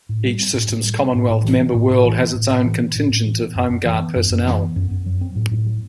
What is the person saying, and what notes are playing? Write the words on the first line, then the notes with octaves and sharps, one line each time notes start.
Each Systems Commonwealth member world has its own contingent of Home Guard personnel.
A2
G3
C4
A2
A2
G3
C4
A2
A2
E3
B3
A2
A2
E3
B3
A2
A2
E3
B3
A2
A2
E3
B3
F#2
F#2
E3
B3
F#2
F#2
E3
B3
F#2
F#2
F#3
C4
A2
A2
F#3